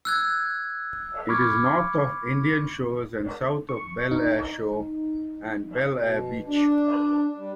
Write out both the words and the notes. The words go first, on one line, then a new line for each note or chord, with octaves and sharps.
It is north of Indian Shores and south of Belleair Shore and Belleair Beach.
E6 F#6 G#6
B5 C#6 D6 F6 G#6
C#6
D#4
B2
D4
G3